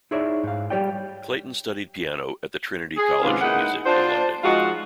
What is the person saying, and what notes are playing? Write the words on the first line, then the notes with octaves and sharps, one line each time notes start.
Clayton studied piano at the Trinity College of Music in London.
D#4 E4 G#4 C#5 D5 E5
G#2 F5
G3 G4 C#5 D5 G5
G#4
D#2 G#2 C3 B3 C#4 F4
A#3 D#4 E4 G#4 F#5
D4 F4 C5
F3 G#3 D#4 F4 F#4